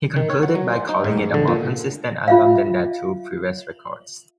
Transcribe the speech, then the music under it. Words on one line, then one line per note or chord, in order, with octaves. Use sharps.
He concluded by calling it "a more consistent album than their two previous records".
D#3
C#5
F#5
F#3
C5
D#4
G#2
A1
D3
A#2
F4 E5 F5